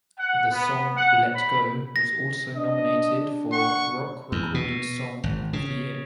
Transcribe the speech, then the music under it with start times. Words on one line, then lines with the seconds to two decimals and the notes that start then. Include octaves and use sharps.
The song "Let Go" was also nominated for Rock Recorded Song of the Year.
0.19 F#5
0.51 B3
0.96 F#5
1.34 B5
1.96 A#6
2.56 D4 D#5
3.52 F#5 C#6
4.32 E2
4.54 B2
5.24 G#1
5.53 C#3